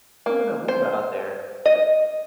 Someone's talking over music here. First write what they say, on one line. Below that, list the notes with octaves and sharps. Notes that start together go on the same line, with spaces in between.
we’re gonna move out there.
A#3
C5
D#5